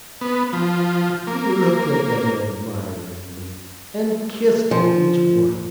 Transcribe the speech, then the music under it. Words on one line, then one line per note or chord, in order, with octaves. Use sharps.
He looked at them admiringly, and kissed each one.
B3
F3
A#3
F3